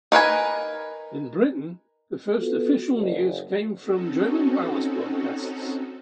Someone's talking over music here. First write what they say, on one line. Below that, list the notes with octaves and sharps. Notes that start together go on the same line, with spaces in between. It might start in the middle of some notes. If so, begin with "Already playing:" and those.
In Britain, the first official news came from German wireless broadcasts.
D#4 A#4 B4 G#5
B3 F4 F#4 A4
F#1
C4 C#4 D#4 F#4 A4